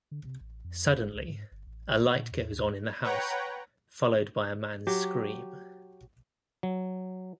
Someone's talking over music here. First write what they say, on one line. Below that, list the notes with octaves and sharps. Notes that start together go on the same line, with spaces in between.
Suddenly, a light goes on in the house, followed by a man's scream.
D3
C3
A1
F2
F#1
C#2
G#2
G1
A1
A#2
E2
D#2
B4 C#5 F#5 G5 A#5
F#3 G4
F#3